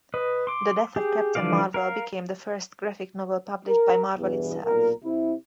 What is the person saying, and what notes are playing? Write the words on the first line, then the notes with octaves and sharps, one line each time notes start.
"The Death of Captain Marvel" became the first graphic novel published by Marvel itself.
B4 D#5
C6 D6
G4 G#4
D3 E3 F3 D5 F5
A#4 F5
A#4
E2 G2 B2 E3 B3
B1 A#2 A#4
C3 E4